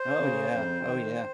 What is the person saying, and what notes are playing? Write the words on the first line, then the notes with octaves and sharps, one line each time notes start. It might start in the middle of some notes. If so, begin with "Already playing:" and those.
Oh, yeah, oh, yeah,
Already playing: C5
C#3
F2
D#3